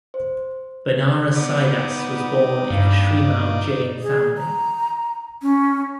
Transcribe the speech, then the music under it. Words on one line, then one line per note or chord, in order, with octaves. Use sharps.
Banarasidas was born in a Shrimal Jain family.
C5
B3 D#4 D5
G2 A#3
G#4
A#5
C#4